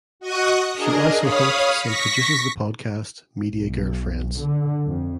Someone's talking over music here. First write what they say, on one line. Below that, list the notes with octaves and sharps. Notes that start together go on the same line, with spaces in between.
She also hosts and produces the podcast Media Girlfriends.
F#4 D#5 C#6 D#6 F#6
D4 G#4 A#4 D#5
C#5 F5 B5 D#6
C#6 A#6 B6
B1
D3
F2